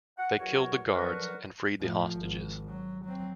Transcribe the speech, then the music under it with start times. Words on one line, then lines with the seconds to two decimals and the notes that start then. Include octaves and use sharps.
They killed the guards and freed the hostages.
0.19 F#5
0.39 E2 F#3 F#4 A#4 C#5 F#5
0.91 D3 F3 F#3 F#4 A#4 B4
1.81 A2 F3
2.17 G#1
2.69 F#3
3.04 F#3 C4